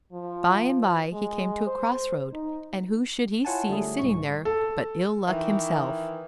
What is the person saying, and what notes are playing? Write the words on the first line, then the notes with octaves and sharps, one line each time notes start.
By-and-by he came to a cross-road, and who should he see sitting there but Ill-Luck himself.
F3
G#3
C5
D#4
E4 F4 C#5 F#5 G#5 A5
D3 G3 A3 G#4
C2 G#2 C#6
A4
D#3 E3